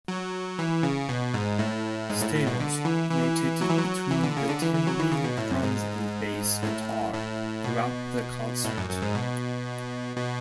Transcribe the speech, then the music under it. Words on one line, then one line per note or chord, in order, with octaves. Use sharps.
Stamos rotated between the tambourine, drums, and bass guitar throughout the concert.
F#3
E3
C#3
B2
G#2
A2
G#2
A2
A2
B2
D3
E3
E3
F#3
E3
F#3
E3
D3
C#3
D3
E3
E3
F#3
E3
C#3
B2
A2
F#2
G#2
A2
A2
B2
A2
F#2
F#2
G#2
B2
B2